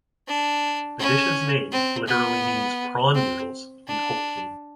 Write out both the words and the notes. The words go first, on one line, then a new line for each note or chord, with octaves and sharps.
The dish's name literally means "prawn noodles" in Hokkien.
D4
C#4
C4
B3
C4
D4